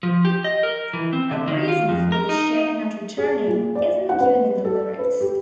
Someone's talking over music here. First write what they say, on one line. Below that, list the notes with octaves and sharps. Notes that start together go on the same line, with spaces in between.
A reason for the ship not returning isn't given in the lyrics.
F3
G4
D#5
A#4
E3
C4
D3
D#3
F4
F2
A#4
D#4
G#4
A#2
D5
F#5
B4
A4
B4
G4